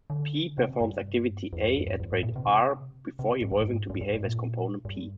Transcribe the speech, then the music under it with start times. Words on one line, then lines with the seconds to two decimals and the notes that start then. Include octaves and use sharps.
"P" performs activity "a" at rate "r" before evolving to behave as component "P".
0.10 D3
0.58 C3
0.81 G2
1.53 F2
1.64 G2
1.77 F2
1.88 G2
2.00 F2
2.12 G#2
2.23 A#2
2.36 C3
2.47 C3
3.19 C3
3.42 G#2
3.52 G2
3.61 G#2
3.90 G2
4.01 G2
4.14 G#2
4.25 A#2
4.85 G2